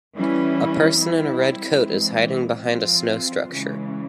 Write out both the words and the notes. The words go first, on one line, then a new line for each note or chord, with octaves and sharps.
A person in a red coat is hiding behind a snow structure.
E3 G3 C#4 E4
G3 C4 E4
E3 G#3 C4
F3 C4 F4
C#3 E3 G#3